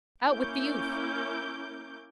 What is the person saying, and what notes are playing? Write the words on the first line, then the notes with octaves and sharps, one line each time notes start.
Out with the oof.
A#3 C#4 E4 A#4 D6 G6